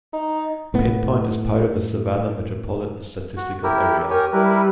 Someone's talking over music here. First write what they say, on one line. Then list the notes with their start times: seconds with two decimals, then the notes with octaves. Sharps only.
Pin Point is part of the Savannah Metropolitan Statistical Area.
0.13 D#4
0.74 A2 B3
3.37 F#4
3.64 E4 G4 A#4
4.10 G4 A#4 C#5 G#5
4.33 G3 E4 A#4 B4